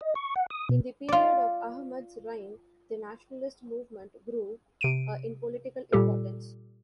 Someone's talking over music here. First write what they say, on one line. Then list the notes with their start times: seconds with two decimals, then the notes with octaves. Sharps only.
In the period of Ahmad's reign, the nationalist movement grew in political importance.
0.01 D#5
0.15 C#6
0.36 F#5
0.50 D#6
0.69 B2
1.09 F4 D5
4.81 C3 D7 D#7
5.93 A#2 G3 G4 A4